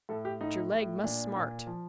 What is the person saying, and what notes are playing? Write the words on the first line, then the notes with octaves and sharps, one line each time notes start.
"But your leg must smart."
A2 A4
G4
A2 D#4
A2
A#2 D4
A#2
F3